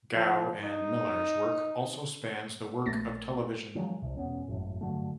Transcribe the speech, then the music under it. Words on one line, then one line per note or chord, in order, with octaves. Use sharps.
Gough and Millar's work also spans the world of television.
F3
D#4
A#1 A3 A6 A#6
D#3 F3 F#3 G#3
C2 C3
E1 B3 C#4
G#1 F#2 A2
G2 D3 F#3 A3